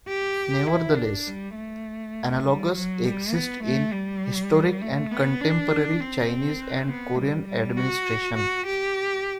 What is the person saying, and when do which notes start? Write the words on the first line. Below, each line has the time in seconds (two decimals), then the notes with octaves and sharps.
Nevertheless, analogues exist in historic and contemporary Chinese and Korean administration.
0.09 G4
0.67 E4
0.96 D4
1.27 G3
1.55 A3
2.45 G3
2.75 F#3
3.04 G3
3.33 B3
3.63 A3
3.92 G3
4.82 A3
5.11 B3
5.41 D4
6.00 C4
6.88 B3
7.18 G3
7.48 G3
7.77 F#4
8.36 F#4
8.66 G4